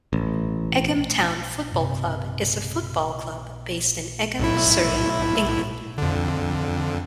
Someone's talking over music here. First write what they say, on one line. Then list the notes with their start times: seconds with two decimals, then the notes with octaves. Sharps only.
Egham Town Football Club is a football club based in Egham, Surrey, England.
0.13 A1
1.72 G2 C3
4.39 B1 A2 E4
5.98 F2 D3